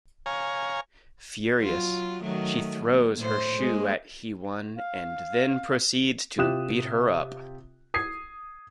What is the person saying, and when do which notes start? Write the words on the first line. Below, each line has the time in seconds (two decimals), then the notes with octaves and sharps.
Furious, she throws her shoe at Hee-won and then proceeds to beat her up.
0.26 C#5 F5 G#5 A#5
1.60 F#3 F4
2.22 D#3 F#3 A3
2.86 A#3
3.19 A2 C5
3.58 G#3 A#3
4.77 F5
6.38 C3 F4 G4 D#6 F#6 E7
7.94 D#6 G#6 C7